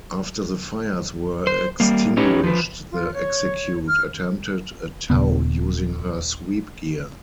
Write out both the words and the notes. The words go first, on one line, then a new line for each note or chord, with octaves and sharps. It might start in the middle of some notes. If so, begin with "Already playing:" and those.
After the fires were extinguished the "Execute" attempted a tow using her sweep gear.
C5
G3 A#3
C#4 D#4 G4 B4 C#5
F3 B4
F4
C#5
F6
D#1 C#3 B3